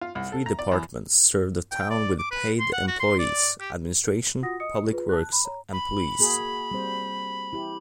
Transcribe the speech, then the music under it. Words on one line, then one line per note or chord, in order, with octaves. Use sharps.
Three departments serve the town with paid employees: Administration, Public Works, and Police.
F4
C2
A4
A#5
D5
E2
G5
D5
D6
B4
C6
F#5
F#4
C6
D5
G4
F4 F#4 F#5 D#6 A#6
D#5 D#6 C#7
F4 G#4 B4
A5 F#6
B5
C#5 A#5
B5
A#3 F#4 G#4
G3 C4 C5
E4 G4